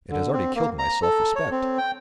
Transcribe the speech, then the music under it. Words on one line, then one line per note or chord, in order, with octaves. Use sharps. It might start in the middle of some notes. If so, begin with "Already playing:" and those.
It has already killed my self-respect.
D3
C4
A#3
A#5
A4
C#5
C4
G5